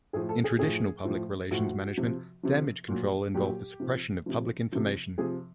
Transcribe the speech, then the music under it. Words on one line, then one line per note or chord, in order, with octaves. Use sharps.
In traditional public relations management, damage control involved the suppression of public information.
A2 F3 G#4
A4
G#4
A2 F3 G#4
A2 F3
A2 F3 F#4
C3 F3
C3 F3
A#2 F#3
A#2 F#3 G4
C3 F3
C3 F3
C3 F3
C3 F3 G#4